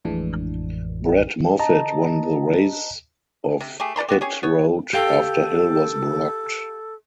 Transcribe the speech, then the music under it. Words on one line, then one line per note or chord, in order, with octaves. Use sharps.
Brett Moffitt won the race off pit road after Hill was blocked.
A1 F2 A2 E3 G#3 D4
D#5 A5 A#5
C3
A3 G4 G#4
E3 D5 A#5 C6
B3 F#4 G4
C#4 G4 G#4 C#5
B3 C#5
G4 A4 F5 G5